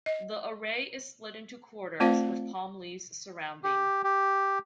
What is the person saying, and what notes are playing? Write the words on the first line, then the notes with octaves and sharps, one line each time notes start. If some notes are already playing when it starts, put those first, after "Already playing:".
The array is split into quarters with palm leaves surrounding.
D#5
A3 C4 F4 C5 D5 F5
G4
G4